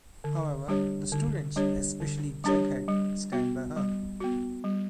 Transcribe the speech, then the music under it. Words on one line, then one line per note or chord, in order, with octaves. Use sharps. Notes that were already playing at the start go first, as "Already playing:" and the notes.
However, the students-especially Jughead-stand by her.
D3
G3 D4 G4 C#5
D3
G3 D4 G4 C#5
D3
G3 D4 G4 C#5
G3
B3 F#4
G3
B3 F#4
G3